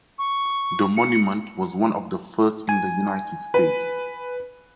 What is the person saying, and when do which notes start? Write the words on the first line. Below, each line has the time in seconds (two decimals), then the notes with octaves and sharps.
The monument was one of the first in the United States.
0.18 C#6
0.97 C#7
2.69 G#5
3.54 B4